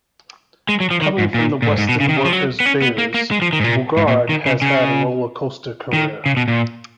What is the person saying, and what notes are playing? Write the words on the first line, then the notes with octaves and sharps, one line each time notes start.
Coming from the Weston Workers Bears, Boogaard has had a rollercoaster career.
G#3
F#3
F3
D#3
G#2
A#2
A#2
G#2
G#2
B2
C#3
D#3
C#3
F3
F#3
B3
C#4
B3
A#3
A#3
G#3
F3
D#3
G#2
A#2
G#2
A#2
D#3
C#3
C#3
D#3
C#3
B2
A#2